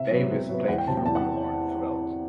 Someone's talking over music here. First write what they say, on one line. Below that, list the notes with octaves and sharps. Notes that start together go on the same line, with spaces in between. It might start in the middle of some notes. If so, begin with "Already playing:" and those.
Davis played flugelhorn throughout.
Already playing: C3 E5
F#3 B3
C3
F#3 B3
E2 F#5
G5
C3 F#3 A5
G5
E2 A5
F#5